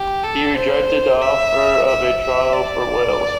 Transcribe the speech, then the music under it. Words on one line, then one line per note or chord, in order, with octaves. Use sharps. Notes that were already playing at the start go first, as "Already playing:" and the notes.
He rejected the offer of a trial for Wales.
Already playing: G4
A4
C5
E5
E5
E5
D5